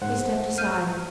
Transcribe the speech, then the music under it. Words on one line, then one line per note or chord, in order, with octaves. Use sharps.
He stepped aside.
G#2 C5 F#5
F6 G6 D#7